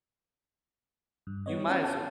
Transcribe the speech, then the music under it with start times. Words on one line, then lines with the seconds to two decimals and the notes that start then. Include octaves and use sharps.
you might as well
1.27 G2
1.46 G3 B3 C#5 D#5
1.69 C#4 F4
1.83 A5 G6